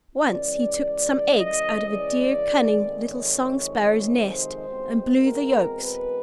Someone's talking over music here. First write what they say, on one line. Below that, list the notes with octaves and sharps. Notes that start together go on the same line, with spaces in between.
Once he took some eggs out of a dear, cunning, little song-sparrow's nest, and blew the yolks.
C#3 E3 G#3 C#4 D5
D#5
D5
F2 C3 D#3 G#3
C#5
C5
E2 B2 G#3 C4
A#4
B4